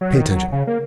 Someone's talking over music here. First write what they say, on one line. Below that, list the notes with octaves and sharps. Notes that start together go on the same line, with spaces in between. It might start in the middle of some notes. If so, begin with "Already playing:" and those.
Pay attention!
F#3
D#3
F#3
C#3
A#3